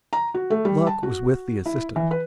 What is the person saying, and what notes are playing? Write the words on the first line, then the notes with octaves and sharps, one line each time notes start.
Luck was with the assistant.
A#5
F#4
A3
G3
A5
F#4
E4
E3
B4